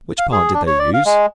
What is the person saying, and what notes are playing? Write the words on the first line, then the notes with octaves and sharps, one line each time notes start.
Which part did they use?
F5
G#4
D4
C#5
D5
F5
G#3